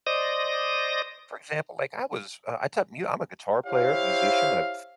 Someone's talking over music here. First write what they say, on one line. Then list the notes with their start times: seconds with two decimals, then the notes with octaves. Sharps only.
For example, like, I was uh, I taught mu I'm a guitar player, musician, I've
0.07 C5 D5 D#5 D#6 A#6
3.66 E4 G4 C5 C#5 F5